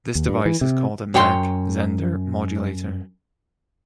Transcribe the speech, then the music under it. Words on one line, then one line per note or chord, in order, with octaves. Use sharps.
This device is called a Mach-Zehnder modulator.
D#2
G2
E3
C3
F#2 C#5 G5 B5 C6